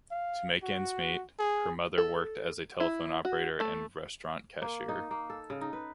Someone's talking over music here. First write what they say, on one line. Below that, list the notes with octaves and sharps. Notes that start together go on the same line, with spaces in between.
To make ends meet, her mother worked as a telephone operator and restaurant cashier.
F5
F#4
G#4
A4
E4
F#4
A3
A#3
D#4
A#3
A4
C#3
D#4
B4